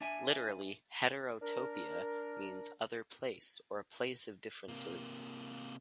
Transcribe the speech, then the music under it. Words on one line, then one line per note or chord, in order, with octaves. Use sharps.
Literally, heterotopia means "other place" or "a place of differences".
D4 E5 G#5
D4 A#4
C3 A#3